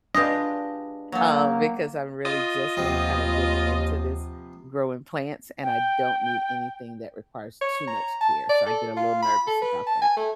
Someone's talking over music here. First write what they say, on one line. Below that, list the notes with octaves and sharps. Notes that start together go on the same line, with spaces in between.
uh, because I'm really just now kinda getting into this growing plants, and I don't need anything that requires too much care, so I get a little nervous about that.
G#3 D4 F4 G4 B4 D#5
F#3 A3 A#3
F4 D#5
D#2 C3 F3 B3
G5
C#5
A#5
A5
D5
A4
F4
B5
A4
B4
A5
G#5
A3